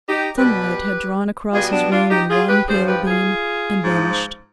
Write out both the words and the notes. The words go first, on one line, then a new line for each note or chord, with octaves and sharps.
Sunlight had drawn across his room in one pale beam, and vanished.
D#4 G4
B2 G3 G4 B4
B2 G3 F4 G#4
B3 D4
D4 F4
D#4 G4
F4 G#4
G4 B4
G2 F3 G#4 C5
G4 B4
F4 G#4
G#2 F3